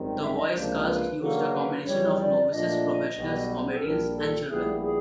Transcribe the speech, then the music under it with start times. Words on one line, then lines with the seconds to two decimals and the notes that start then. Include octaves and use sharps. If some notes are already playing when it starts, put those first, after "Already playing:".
The voice cast used a combination of novices, professionals, comedians, and children.
Already playing: G#1 F#2 D#3 G3 C4
0.22 E5
0.39 D#5
0.55 C#2 C3 F3 A#3 D4 C5
0.88 B4
1.20 C#3 F#3 A#3 D4 F#4 A4
1.37 A#4
1.53 B4
1.86 F2 C#3 E3 G3 C#5
2.19 D5
2.52 A#2 F3 A3 D4 D#5
3.18 B1 B2 G3 B3
3.69 G#4
3.77 A4
3.84 A#1 A#2 G3 A#3 D4 A#4
4.17 A4
4.49 A#1 A#2 G3 B3 E4 G#4
4.84 G#4